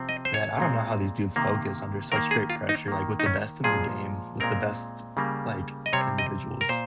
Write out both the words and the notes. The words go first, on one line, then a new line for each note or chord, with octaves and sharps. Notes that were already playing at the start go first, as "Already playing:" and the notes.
"Man, I don't know how these dudes focus under such great pressure, like, with the best in the game, with the best, like, individuals."
Already playing: C3 F3 C4
D#5
C5
C#5
A#2 G#3 C4
C3 D#3 A#3
D#3 A#3 A#4
G#4
F4
D#4
D#3 A#3
D#4
C#4
A#2 F3 G#3 G#4
A#2 G#3 C4 A#4
C#3 G3 A#3
D#5
C3 G3 C4 C#5
D#5
A#4
A#2 C5